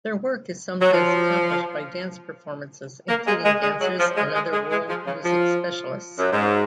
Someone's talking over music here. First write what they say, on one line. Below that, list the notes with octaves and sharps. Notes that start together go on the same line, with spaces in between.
Their work is sometimes accompanied by dance performances, including dancers and other world-music specialists.
F#3
F3
A#3
G#3
G#3
G#3
F#3
F3
G#3
G#3
G#3
G#3
F3
C#3
F3
F#2
G#2